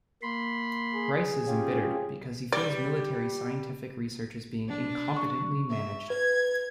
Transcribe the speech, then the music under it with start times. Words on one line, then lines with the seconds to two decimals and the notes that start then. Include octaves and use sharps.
Rice is embittered because he feels military scientific research is being incompetently managed.
0.22 A#3 B5 C6
0.94 G#4
1.48 C#4 F4 G4
2.52 G3 D5
4.69 D4
5.17 C#6
5.69 E5
6.10 B4 G#6